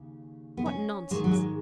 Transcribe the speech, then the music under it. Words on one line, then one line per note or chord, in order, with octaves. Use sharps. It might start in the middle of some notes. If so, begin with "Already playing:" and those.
What nonsense!
Already playing: D#2 C#3
B3
C#4
G#2 D#3 G#3
F#3
G#3